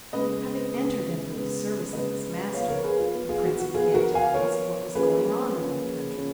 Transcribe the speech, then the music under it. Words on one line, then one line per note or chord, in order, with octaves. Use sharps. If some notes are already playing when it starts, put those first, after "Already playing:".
Having entered into the service of this master, the Prince began to ask what was going on in that country.
C#3 G#3 B3 B4 D#5
C#3 G#3 B3
C#3 G#3 B3
C#3 G#3 B3 B4 D#5
F3 B3 C#5 F5
A#4 C#5
G#4 B4
F4
F3 B3
F4 G#4
F#4
F#4
F3 B3 F4 G#4
F#4 A#4
F5 G#5
F3 B3 A#4 C#5
F3 A#3 C#4 G#4 B4
F3 A#3 C#4
F3 A#3 C#4